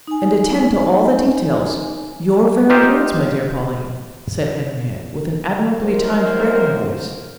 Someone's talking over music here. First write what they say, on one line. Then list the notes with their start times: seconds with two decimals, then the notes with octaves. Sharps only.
"And attend to all the details--your very words, my dear Pauline," said Henriette, with an admirably timed break in her voice.
0.07 D#4 G#5
2.70 D#4 F4 G4 C5 E5
5.81 F#2 C3 D#3 A#3 A#4 C5